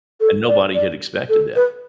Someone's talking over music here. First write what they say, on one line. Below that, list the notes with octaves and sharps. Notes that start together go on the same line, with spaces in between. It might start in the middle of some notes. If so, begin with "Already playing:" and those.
and nobody had expected that.
A4
D5
D5
A4
B4